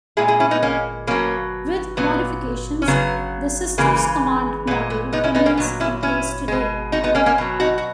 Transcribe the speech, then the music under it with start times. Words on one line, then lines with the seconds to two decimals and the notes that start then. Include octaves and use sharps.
With modifications, the systems-command model remains in place today.
0.17 A#2 G#3 E4 G#4
0.28 E4 G#4
0.40 C#4 E4
0.51 B3 D#4
0.63 A#3 C#4
1.07 B2 F#3 A#3 C#4
1.97 A#2 F#3 B3
2.82 C#4
2.88 C#3 F#3 B3
3.78 C#3 E3 G#3 A#3
4.67 A#2 B3
4.71 G#3
4.90 B3
5.13 B3 D#4
5.24 C#4 E4
5.35 B3 D#4
5.46 A#3 C#4
5.57 A#2 F#3 B3
5.80 C#4 E4
6.03 C#4 E4
6.48 B2 G#3
6.92 D#4 F#4
7.04 B3 D#4
7.15 A#3 C#4
7.26 A#3 C#4
7.38 B2 F#3
7.60 D#4 F#4
7.78 F#4